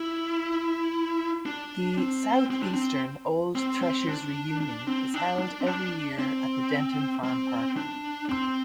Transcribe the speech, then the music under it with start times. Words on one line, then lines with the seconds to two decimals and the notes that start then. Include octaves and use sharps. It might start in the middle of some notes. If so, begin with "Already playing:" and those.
The "Southeastern Old Threshers Reunion" is held every year at the Denton Farmpark.
Already playing: E4
1.46 D4
1.98 C4
2.51 C4
2.63 D4
2.73 C4
3.55 C4
3.82 C4
4.09 D4
4.60 D4
4.87 C4
5.14 D4
5.39 D4
5.60 C4
5.66 D4
6.19 C4
7.24 C4
7.77 D4
8.29 C4